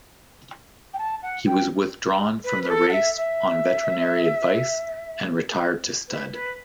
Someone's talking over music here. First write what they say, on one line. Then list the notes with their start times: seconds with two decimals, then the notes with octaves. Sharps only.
He was withdrawn from the race on veterinary advice and retired to stud.
0.94 G5
0.98 A5
1.22 F#5
1.46 G5
2.44 B4
2.63 B4
2.69 A4
2.89 F#5
2.93 E5
3.17 E5
6.09 B4
6.33 B4